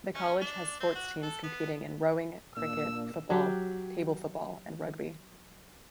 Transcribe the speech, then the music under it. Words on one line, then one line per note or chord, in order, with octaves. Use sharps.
The college has sports teams competing in rowing, cricket, football, table football and rugby.
C#4
D4
C4
F#4
A4
B3
A#2 A#3 D4 E6
F#3 G4